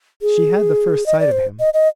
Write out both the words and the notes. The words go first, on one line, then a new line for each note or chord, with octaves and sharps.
She had the first sight of him.
G#4
D#5
D5
C5
D#5
D#5